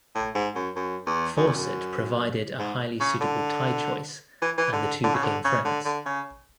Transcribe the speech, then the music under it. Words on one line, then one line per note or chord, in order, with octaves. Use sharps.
Fawcett provided a highly suitable tie choice, and the two became friends.
A2
G#2
F#2
F#2
E2
F#2
E2
F#2
G#2
C#3
D3
E3
E3
D3
D3
C#3
D3
C#3
D3
D3
C#3